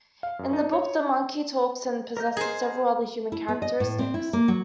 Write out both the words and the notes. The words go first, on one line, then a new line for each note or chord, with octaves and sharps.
In the book, the monkey talks and possesses several other human characteristics.
F5
F#2
D#4
C#5
A#4 D#5 G6
G#4 C5
E4
B3
D#5
A2
C4
E4
A#3
F#3